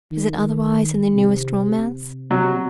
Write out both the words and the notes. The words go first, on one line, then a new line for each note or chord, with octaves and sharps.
Is it otherwise in the newest romance?
D#3
C3
C3 F#3